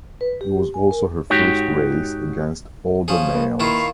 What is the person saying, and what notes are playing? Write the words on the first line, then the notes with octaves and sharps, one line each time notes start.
It was also her first race against older males.
B4
G4
G#5
A#4
G#2 D#4 F#4 G4 C#5
F3 C#4 G#4
A#3 B4
D#3 E4 F4 F5 B5 C#6